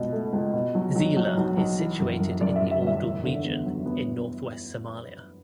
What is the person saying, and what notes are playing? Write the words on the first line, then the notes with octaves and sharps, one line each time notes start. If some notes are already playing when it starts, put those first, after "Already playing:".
Zeila is situated in the Awdal region in northwest Somalia.
Already playing: C#2 B2
A3
C#2
B2
F#3
F#3
F#3
B1
B1
E3
F#2
F#2
F#2 D5
E5
F#2
E5
G1
E5
E2
D3
B3
F#3
B3